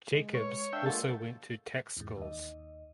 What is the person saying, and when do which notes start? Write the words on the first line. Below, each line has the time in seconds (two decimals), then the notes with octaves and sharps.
Jacobs also went to tax schools.
0.14 G#3
0.35 B4 C#5
0.73 D4 E5 F5 G5
0.86 G#3 A#3 F4 A4 A#4 F#5
1.97 E2 G#2
2.17 D#2 D#5